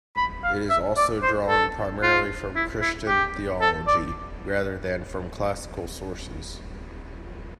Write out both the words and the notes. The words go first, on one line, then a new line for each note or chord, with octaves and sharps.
It is also drawn primarily from Christian theology, rather than from classical sources.
B5
F5
E5
D5
C5
A4
F4
E4
E4
G4
A4
D5